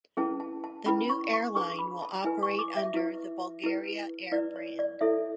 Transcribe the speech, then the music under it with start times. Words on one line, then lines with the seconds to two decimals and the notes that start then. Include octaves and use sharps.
The new airline will operate under the Bulgaria Air brand.
0.17 C#4 E4 G#4 B4 A5
0.40 A5
0.64 A5
0.86 C#4 E4 B4 B5
1.10 C#6
1.33 C#6
1.55 D4 G#4 B4 C#6
1.79 B5
2.02 A5
2.24 E4 B4 G#5
2.43 C#6
2.59 D6
2.77 E5
2.94 E4 B4
3.64 E4 B4
4.32 E4 B4 D5
4.56 C#5
4.79 D5
5.01 E4 A4 C#5 E5